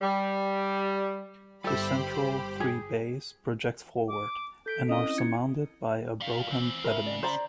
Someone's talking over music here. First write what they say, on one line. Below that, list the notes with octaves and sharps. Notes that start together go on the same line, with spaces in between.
The central three bays project forward and are surmounted by a broken pediment.
G3
G1 G3 G4 A4 C5 E5 B5
G#4
D6
A4 G6 B6 D7
C4 C#4 E4 D#5
E4 G#6 C#7
G3 F5
E3 C4
C#3 A#4 E5
D5
C5 D5 A#5